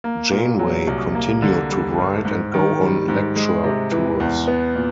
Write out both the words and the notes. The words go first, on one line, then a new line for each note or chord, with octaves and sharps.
Janeway continued to write and go on lecture tours.
A#3
A#2
F#3
C2
A#3
D3
G3
G2
G#2
D#3
G3
G#2
G#3
C3
E3
E2
B3
A#2